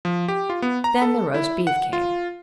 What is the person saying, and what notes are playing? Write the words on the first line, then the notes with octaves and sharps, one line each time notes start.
Then the roast beef came.
F3
G4
F4
B3
A#5
A4
E4
F#5
F4